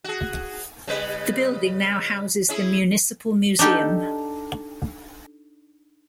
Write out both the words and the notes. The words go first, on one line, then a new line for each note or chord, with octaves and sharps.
The building now houses the municipal museum.
F#4 G#4
C#3 G3 B4
C#4 E4 G#4
D4 D#4 G4 A4